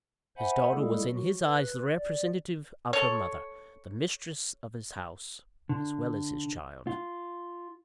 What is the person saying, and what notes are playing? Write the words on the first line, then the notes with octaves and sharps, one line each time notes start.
His daughter was in his eyes the representative of her mother: the mistress of his house, as well as his child.
C5 E5 F#5 G#5 B5
G3 G#3 A#3 E4 G#4 A4
F#3 F#4
B4
D5
A4 C#5
D3
F4